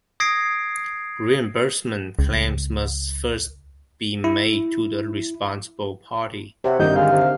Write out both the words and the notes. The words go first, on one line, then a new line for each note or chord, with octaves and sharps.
Reimbursement claims must first be made to the responsible party.
D#6 G#6 A#6 C7 D7
C#2
E4
C3 C#5 E5 F#5
G2 D#3 G3 C4 D4 D#4 A#4 G6
D3 G#3 F5
C3